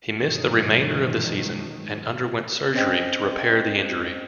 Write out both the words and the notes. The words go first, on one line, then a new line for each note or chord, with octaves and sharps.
He missed the remainder of the season and underwent surgery to repair the injury.
G2 B2 D#3 E3 F#3 G#3
C4 C#4 C5 D#5 G5